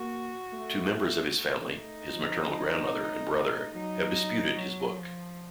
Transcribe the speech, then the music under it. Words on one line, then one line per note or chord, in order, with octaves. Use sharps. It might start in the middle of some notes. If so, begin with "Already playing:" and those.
Two members of his family, his maternal grandmother and brother, have disputed his book.
Already playing: A#3 F#4
A3
A3
D#4
F3
A3
A3
F#3 D#4
F#3
F3